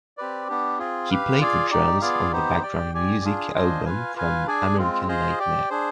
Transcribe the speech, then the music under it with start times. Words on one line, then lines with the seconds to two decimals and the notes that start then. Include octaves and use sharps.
He played the drums on the "Background Music" album from American Nightmare.
0.17 C4 G4 B4 D5
0.48 B3 D4 G4
0.79 C4 F4 G#4
1.09 G4 B4 F5
1.40 F4 G#4 D5 F5
1.70 D#4 G4 D5
2.01 B3 F4 G#4 D5 F5
2.31 B3 D#4 G4 C5
2.62 G4 D5 G5
2.93 G4 D5 G#5
3.24 D4 F4 G#4
3.54 D4 F4 C5 D#5 G#5
3.85 F4 B4 F5 G#5
4.15 F4 B4 F5 G#5
4.46 D4 G#4 D5 G#5
4.77 G#3 C4 F4
5.08 F4 G#4 C5 D#5
5.38 G4 D5 G5
5.69 D4 G#4 C5